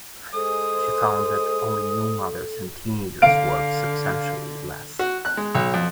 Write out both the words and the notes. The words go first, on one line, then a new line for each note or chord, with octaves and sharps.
She found that only new mothers and teenagers worked substantially less.
G#3 G#4 A4 C5 D#6
D3 F5 D7
F#4
F#6
G#3
B1
F2